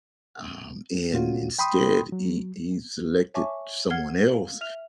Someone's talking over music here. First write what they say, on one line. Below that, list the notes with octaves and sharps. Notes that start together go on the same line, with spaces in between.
um, and instead, he he selected someone else,
A#2 A3 C#4 F4 F#4
G5 B5 C6 D#6
F#3
C#5 E5 G#5 A5 C#6 D6
F#5 F6 G#6 C7 G7
F5
E5 F6 F7